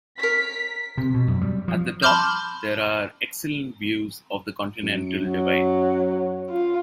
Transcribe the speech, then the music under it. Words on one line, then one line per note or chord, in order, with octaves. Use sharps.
At the top, there are excellent views of the Continental Divide.
A#4 C#5 B6
C3
B2
F#2
G3
F3
A5 B5 C6 D6 F6 G6
F#2
F#3
F4